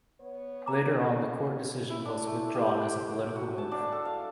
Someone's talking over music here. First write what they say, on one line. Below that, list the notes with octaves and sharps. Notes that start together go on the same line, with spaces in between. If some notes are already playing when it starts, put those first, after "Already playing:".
Later on the court decision was withdrawn as a political move.
B3 C#5
A#5 D6
E4
D4
A3
G4
C5
G5
C#5
F#4
A5
D4
A4
F5